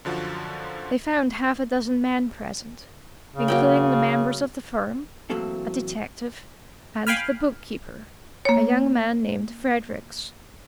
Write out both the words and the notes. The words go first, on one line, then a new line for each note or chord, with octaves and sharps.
They found half a dozen men present, including the members of the firm, a detective, and the bookkeeper, a young man named Fredericks.
F#2 D3 F3 F4 F#4
C#3
F#3 A#3 G5
A2 E3 F#3 A#3 C4 A4
F5 G5 G#5 B5 F6
A#3 C#5